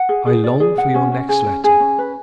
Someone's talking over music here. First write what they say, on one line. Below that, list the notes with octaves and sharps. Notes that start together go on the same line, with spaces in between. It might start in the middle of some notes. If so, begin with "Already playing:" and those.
I long for your next letter.
Already playing: F#5
G#4
G#4
D5
G#4
F#5
C#4
C#4
G#4
C#4
G#4
C#4
B4